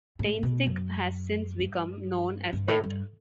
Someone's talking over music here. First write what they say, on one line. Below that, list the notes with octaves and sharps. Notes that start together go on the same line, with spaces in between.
Taintstick has since become known as Death!
A2
B2
F#2
G2
G2
A2
G2